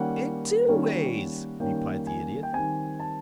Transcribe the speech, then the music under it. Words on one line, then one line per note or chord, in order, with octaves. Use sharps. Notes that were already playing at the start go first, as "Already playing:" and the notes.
"In two ways," replied the Idiot.
Already playing: D#3 G3 A#3 C#4 F#5
D#3 G3 A#3 C#4
D#3 G3 A#3 C#4 G5
G#5
G5
D#3 G3 C4 G#5
A5